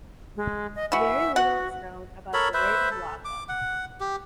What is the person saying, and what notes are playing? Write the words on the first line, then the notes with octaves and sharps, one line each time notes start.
Very little is known about the reign of Iago.
G#3
D#5
E3 F#4 E5
F#4 F#5
A4 A#4 C#5 B5
B4 C5 E5
A4
D6
F#5
G4